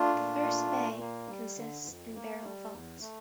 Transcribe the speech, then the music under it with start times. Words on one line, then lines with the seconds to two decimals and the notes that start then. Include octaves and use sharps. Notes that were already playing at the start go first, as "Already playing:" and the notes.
The first bay consists in barrel vaults.
Already playing: A3 D4 F4
0.15 A#2
0.43 A3
0.72 A#2
1.00 A#3
1.28 G3
1.57 D3
1.86 F2
2.14 A#3
2.43 G3
2.72 E2
3.01 A3